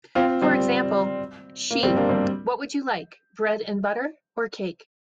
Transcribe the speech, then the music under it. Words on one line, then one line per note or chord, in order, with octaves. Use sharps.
For example: She: 'What would you like-bread and butter, or cake?
C4 F4
G3 C4
A#3
G3 C4
A#3 D4
G3 C4